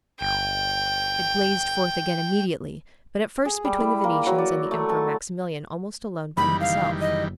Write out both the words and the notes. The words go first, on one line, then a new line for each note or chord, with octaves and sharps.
It blazed forth again immediately, but at first between the Venetians and the Emperor Maximilian almost alone by himself.
G1 G5
G#4
G3
E4
A#3
F#3
D5
A3
A5
F#1 D#3 E3 G3 B5
F5
D#5